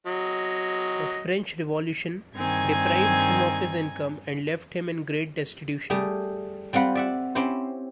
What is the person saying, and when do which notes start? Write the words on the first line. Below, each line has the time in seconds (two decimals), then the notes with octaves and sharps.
The French Revolution deprived him of his income and left him in great destitution.
0.07 F#3 D#5
2.36 G2 D#3 C4 G#5 G#6
5.90 G3 A3 G4 G#4
6.73 G3 C4 F4 F#5 B5
6.95 D5 E5 F#5
7.35 C4 C#4 E4 G4 C5